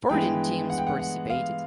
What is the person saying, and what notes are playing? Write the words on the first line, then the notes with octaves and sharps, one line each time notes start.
Fourteen teams participated.
G2 E3 G#3 B3 G5
F#5
G5
F#5
F#5
F5